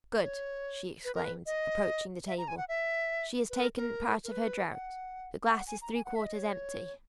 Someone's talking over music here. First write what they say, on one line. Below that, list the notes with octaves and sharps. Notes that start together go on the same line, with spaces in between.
"Good," she exclaimed, approaching the table, "she has taken part of her draught; the glass is three-quarters empty."
C#5
B4
A#4
B4
D#5
E5
A#5
G#5
F#5
E5
B4
A#4
A#4
A#4
B4
F#5
G#5
F#5
G#5
A#5
G#5
F#5
E5
D#5
C#5